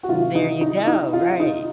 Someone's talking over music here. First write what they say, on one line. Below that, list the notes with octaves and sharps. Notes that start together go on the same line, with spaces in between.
There ya go. Right.
F#4
C3 D#3 F#3 F4
D#4
D#4
D#4
F4
F4
D#4